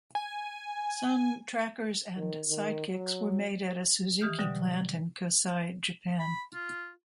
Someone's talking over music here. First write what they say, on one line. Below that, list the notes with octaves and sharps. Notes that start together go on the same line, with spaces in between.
Some Trackers and Sidekicks were made at a Suzuki plant in Kosai, Japan.
G#5
D#3
D#3
F#3
D#3 E3 G4 D#6 F6 G6
B2 D3 F#3 G3
B5
F4